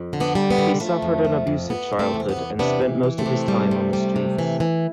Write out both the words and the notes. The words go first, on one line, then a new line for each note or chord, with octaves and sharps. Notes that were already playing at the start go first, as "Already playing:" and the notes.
He suffered an abusive childhood and spent most of his time on the streets.
Already playing: F2
D3
B3 D4
G3
B3
D3
F3 A3
F2
F3
F2
E2 B3
C3
A3 C4
E2
C4
B3
E2
C3 B3 D4
E3
E3
A3 C4
C3
G3
C3
G3
C3
E3
E3